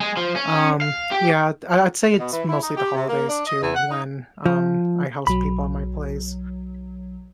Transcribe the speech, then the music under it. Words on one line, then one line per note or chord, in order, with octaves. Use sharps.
Um, yeah, I'd I I'd say it's mostly the holidays too, when, um, I host people in my place,
G#3
F3
C#4
F5
G4
B2
E3
E4
D#4
G4
C3
A#3
D4
D#5
E2
F#5
D#4
F3
B1 F#3 B5